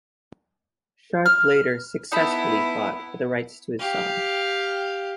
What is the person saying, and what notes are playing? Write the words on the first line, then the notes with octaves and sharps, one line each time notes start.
Sharp later successfully fought for the rights to his song.
F6
B3 D#4 E4 A5 B5
G4 F5